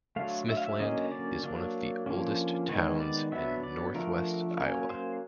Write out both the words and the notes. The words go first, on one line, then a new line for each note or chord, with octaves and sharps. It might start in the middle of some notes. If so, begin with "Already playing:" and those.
Smithland is one of the oldest towns in northwest Iowa.
D3 F#3 A3 F5
E5
F5
E5
D3 F#3 A#3 C#4 D#5
D5
F#3 A#3 D4
D3 F3 A#3 C#4
D#3 G#3 B3 C#5
D5
F#3 B3 D4 E5
D5
D3 F3 A3 A#4
F#3 A#3 C#4 A#4
C5